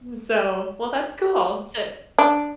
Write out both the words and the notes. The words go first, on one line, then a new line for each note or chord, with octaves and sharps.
So well, that's cool. So,
D4